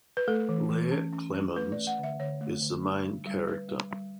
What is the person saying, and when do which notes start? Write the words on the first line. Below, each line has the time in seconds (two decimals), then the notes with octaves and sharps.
Blair Clemmons is the main character.
0.17 B4
0.28 A3 A4
0.49 E3
0.70 E3
0.91 C#4
1.13 C#4
1.34 C#4
1.56 A3 B4
1.72 A3 D5
1.87 F#5
1.99 D3 E5
2.20 D3 C#5
2.41 A3
2.63 D3
2.83 D4
3.05 G3
3.27 G3
3.47 G3 B4
3.68 G3
3.91 G3